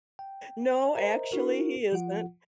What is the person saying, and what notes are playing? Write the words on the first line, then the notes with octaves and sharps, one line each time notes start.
No, actually, he isn't.
G5
A#4 C5 D#5 E5 A#5
D4 E4 F#4 A#4
F3 F4 F#5